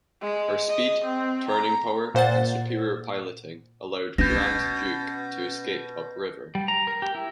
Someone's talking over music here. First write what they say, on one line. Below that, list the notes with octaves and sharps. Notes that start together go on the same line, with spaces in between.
Her speed, turning power, and superior piloting allowed "Grand Duke" to escape up river.
G#3
D#5
C4
A#5
A#2 C5 F#5 A6
B2 C#4 G6 A#6
G3
A#5
A#4
G4
E4